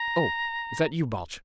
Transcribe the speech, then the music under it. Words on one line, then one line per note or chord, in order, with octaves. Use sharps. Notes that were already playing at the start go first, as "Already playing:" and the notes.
Oh, is that you, Balch?
Already playing: A#5